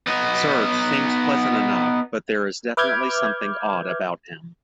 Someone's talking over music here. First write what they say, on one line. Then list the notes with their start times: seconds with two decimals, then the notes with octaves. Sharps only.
Serge seems pleasant enough, but there is definitely something odd about him.
0.07 B3 D#4
2.77 B4 E5 D6 F6 G6 G#6